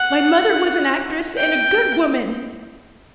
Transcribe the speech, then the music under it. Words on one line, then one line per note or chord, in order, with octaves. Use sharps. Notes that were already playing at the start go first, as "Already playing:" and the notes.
My mother was an actress and a good woman.
Already playing: F#5
G5